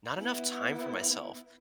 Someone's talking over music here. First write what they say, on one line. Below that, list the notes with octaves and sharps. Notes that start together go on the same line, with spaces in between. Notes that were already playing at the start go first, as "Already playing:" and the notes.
not enough time for myself.
B3 E4